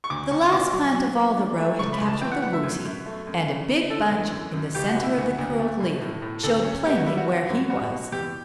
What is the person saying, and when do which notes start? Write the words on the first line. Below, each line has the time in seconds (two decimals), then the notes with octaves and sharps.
The last plant of all the row had captured the Woozy, and a big bunch in the center of the curled leaf showed plainly where he was.
0.04 C#6
0.10 D2 D6
0.31 D2 C#6
0.52 B2 D6
0.73 F#3
0.94 F#3
1.16 B3
1.37 D4
1.58 A3
1.79 C#2 C#6
1.93 B5
2.00 C#2
2.07 A5
2.21 E3 G5
2.31 F#5
2.42 B3 F#5
2.53 E5
2.63 F#2
2.85 F#2
3.06 A3
3.27 F#2
3.48 C#3
3.69 C#3
3.90 D3 A4
4.11 E2
4.32 F#2
4.54 F#2
4.75 C#2 G4
4.89 F#4
4.96 B2
5.03 E4
5.17 D2 F#4
5.38 D2
5.59 A3
5.80 B2
6.01 A2
6.22 A2
6.43 D2 A4
6.64 C#4
6.86 B3 G4
6.96 F#4
7.06 G3 E4
7.17 F#4
7.28 F#3
7.49 F#2
7.70 G3 F#4
7.91 B2
8.12 E2 G4